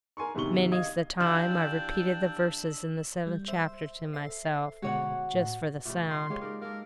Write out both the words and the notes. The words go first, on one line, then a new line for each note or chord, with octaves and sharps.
Many's the time I've repeated the verses in the seventh chapter to myself, just for the sound.
A#4 G#5 C6 C#6
G1 C3 D#3 C#6 G7
D#5 F5 D#6 G#6
E3 D4 F4 G4 G5 E6 E7 F#7
G3
C5 E5
A4 E5 C7
B2 D3 G#3 F#4 C#5 F#5
A2
A#2 C#3 G3 A3
C6
G#3 F4 G4 C#5
D#4 A#4 D5
A#3 A4 A#4